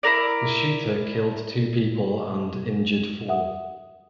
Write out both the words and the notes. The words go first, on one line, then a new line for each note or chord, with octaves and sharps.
The shooter killed two people and injured four.
E4 F4 A#4 D5
E5 F#5 D#6